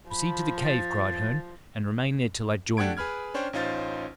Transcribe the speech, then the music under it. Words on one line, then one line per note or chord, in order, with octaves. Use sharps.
"Proceed to the cave," cried Herne, "and remain there till I join you."
F3 B5
A6
A3 D4 G4 F#5 G#6 D7
G#4 B4 B5 F6 G#6
C#4 D4 C5 C#5 G5
A1 C#4 D#4 F4 C5 A6